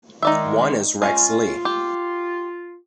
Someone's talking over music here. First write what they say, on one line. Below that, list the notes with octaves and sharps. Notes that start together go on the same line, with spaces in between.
One is Rex Lee.
D#3 G#3 D#4 D5 E5
G#3 C#4 F4
G4